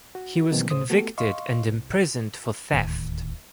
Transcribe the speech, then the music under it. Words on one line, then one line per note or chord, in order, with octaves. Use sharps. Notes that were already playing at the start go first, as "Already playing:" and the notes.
He was convicted and imprisoned for theft.
F#4
B2 D#3 E3 F#3 A#3 C4
D2 A2 C#3 C5 D#6
A3 B3 F#4 G4 A4
D#5 F5 C6 C#6
C2
D#1 D2 A2 D#3